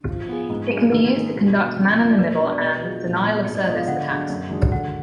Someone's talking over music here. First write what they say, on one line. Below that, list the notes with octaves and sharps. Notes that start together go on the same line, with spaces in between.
It can be used to conduct man-in-the-middle and denial-of-service attacks.
F3
B3 F4 G#4
G#2
F#3 D4 G#4
D#3 B4
G#3 B3 D#4 G#4
B2
G#3 B3
F2
F3 B3
D5
B2 B4
G#3 B3 D4
D5
B2 D#5
F#3 B3 F4 G#4
A#2
F#3 B3
G#2
D5
F3 G#3 B3 D#5
F5
D3 F#5
F#3 D4 G#4
F#2
D#3 G#3 D4
D3 F#5